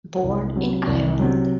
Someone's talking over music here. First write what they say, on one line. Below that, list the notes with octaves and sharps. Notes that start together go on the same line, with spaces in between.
Born in Ireland.
C2
C3 F#3
C2
C3 F#3